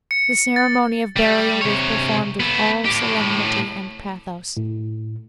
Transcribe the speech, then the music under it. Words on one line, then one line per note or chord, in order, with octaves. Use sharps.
The ceremony of burial was performed with all solemnity and pathos.
C#7
A6
G3
C3 C#5
B3 A4
A2 G4
A2